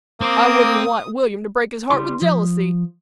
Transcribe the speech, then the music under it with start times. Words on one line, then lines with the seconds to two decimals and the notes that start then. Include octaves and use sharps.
I wouldn't want William to break his heart with jealousy.
0.21 A#3 C4 D6 D#6
1.90 C#3 G3 E4 C6
2.22 F3